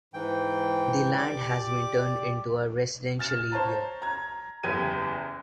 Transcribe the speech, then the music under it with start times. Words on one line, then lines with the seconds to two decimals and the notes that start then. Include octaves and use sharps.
The Land has been turned into a residential area.
0.14 G#2 E3 G5
1.17 G4 D5 D6
3.19 F6 A6 E7
3.52 C5 C#5 A5 A#5
4.02 A#5 G#6
4.63 F#1 E2 G4 G#6 D#7